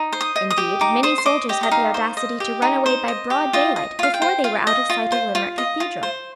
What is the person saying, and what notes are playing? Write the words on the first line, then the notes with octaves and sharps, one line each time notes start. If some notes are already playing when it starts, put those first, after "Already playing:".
Indeed, many soldiers had the audacity to run away by broad daylight before they were out of sight of Limerick Cathedral.
Already playing: D#4
C5
D#6
D#5
D#6
G4
D#4 D6
C5 D#6
C6
D#5 D6
G4 D#5
D#5
D#4 F5
C5
D#5
G4
D#4
C5
D#5
G4
F4 D#5
D#5
F4 F5
G5
C5
F4 F5
D#5
F4
C5
F4
D#5
F4
C5